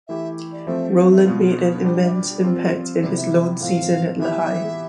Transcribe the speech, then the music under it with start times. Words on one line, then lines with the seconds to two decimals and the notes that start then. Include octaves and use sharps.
Rowland made an immense impact in his lone season at Lehigh.
0.08 E3 A3 E4 G4 E5
0.52 D5
0.67 F3 A3 C4 E5
0.96 F5
1.12 E5
1.26 B2 B3 F4 D5
1.40 B4
1.69 B4
1.84 G3 D4 G4 C5
1.95 D5
2.04 E5
2.14 D5
2.44 F3 C4 F4
2.99 E5
3.02 C3 G3 B3 E4 G4 D5
3.17 E5
3.61 A2 F3 C4 F4 F5
4.20 E3 B3 E4 G4 E5